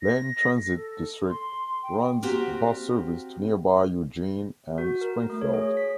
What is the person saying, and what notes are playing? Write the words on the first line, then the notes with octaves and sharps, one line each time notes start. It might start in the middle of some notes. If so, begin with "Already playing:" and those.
Lane Transit District runs bus service to nearby Eugene and Springfield.
A#6
A4
C6
G5
A#3 C4 F#4 G4
F#4
A#4
A3
C#5
G#4
B6